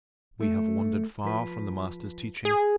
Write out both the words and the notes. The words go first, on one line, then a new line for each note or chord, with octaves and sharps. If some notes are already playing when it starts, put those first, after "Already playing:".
We have wandered far from the Master's teaching.
A3
F3 B4
G#4